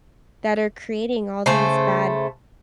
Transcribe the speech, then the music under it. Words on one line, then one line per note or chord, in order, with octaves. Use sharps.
that are creating all these bad
C#3 A3 C5